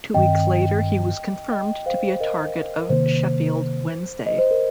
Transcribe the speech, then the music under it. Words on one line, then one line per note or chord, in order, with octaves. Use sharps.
Two weeks later he was confirmed to be a target of Sheffield Wednesday.
G2 D#3 C4 D#5 G5
D#5 G5
C5 F5
C5
A#4 D#5
A#4
C3 D#3 A#3 C5
D#5
C5
A#4